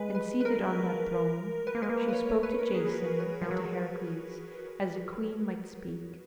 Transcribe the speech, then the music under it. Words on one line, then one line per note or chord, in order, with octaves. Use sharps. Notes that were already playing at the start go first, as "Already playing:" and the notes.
And seated on that throne she spoke to Jason and to Heracles as a queen might speak.
Already playing: G#3 B4
B4
B4
A#4
B4
A#3
G#3 B4
A#3
B4
C#5
C#5
B4
A#4
G#4
F#4
B4
F3
F#3